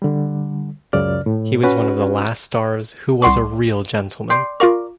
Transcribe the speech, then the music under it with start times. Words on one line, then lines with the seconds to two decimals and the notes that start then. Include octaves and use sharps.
He was one of the last stars who was a real gentleman.
0.02 D3 G3
0.93 C#2 F#2 C#3 D5 F6
1.26 A2
1.63 C#4 F#4 B4
3.22 C2 D5 F#5 C6 C#6
4.30 D5 G5 C6
4.60 F4 A#4 D5 F5 C#6